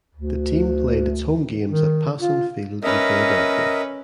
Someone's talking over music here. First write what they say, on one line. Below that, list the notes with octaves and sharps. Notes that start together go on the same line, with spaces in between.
The team played its home games at Passon Field in Philadelphia.
D2
D#3
F4
C#4 A#4 B4 D#5 E5